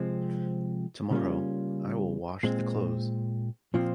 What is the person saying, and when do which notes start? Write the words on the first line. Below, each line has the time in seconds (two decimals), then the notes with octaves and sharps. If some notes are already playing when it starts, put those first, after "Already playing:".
Tomorrow, I will wash the clothes.
Already playing: C3 F3 G#3 C4
1.11 C#3 G3 A#3 C#4 F4
2.43 A#2 G#3 C4
3.74 A#2 F3 C4 F4